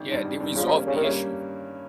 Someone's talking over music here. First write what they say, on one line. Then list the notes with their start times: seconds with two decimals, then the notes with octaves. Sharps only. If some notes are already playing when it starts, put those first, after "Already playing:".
Yeah, they resolved the issue.
Already playing: G#1
0.08 G2 D#3
0.25 G#1
0.40 G2 D#3
0.55 G2 C#3 F3
0.65 F3
0.71 C3 D#3 G3 A#3 C#4
0.87 G2 C#3
0.96 D#3
1.03 A#2 C#3 G3 A#3 C#4